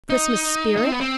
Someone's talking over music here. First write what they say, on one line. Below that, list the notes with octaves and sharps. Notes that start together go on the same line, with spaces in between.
Christmas spirit?
D#4
D#4
C4
B3
C4